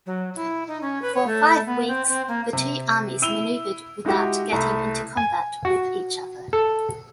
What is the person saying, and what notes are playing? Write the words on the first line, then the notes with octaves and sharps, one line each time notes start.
For five weeks the two armies manoeuvred without getting into combat with each other.
F#3
E4
D#4
C#4
B4
C#5
A3
B3
C4
C4
A#3
C3
E4 E6 D#7 F7 G7
G#3 D#4 E4 F#4 G4
C2 A3 A#5
G#5
F#4
A4